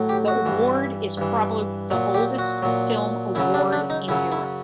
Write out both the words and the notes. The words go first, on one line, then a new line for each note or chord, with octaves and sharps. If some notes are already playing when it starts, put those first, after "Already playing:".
The award is probably the oldest film award in Europe.
Already playing: A2 F#3
G4
F#4
G2 E3
G2 E3
A#2 F#3
G4
F#4
A#2 F#3
F#2 C#3 F#3 E4
D4
D4
D#4
F#2 C#3 F#3 E4
E4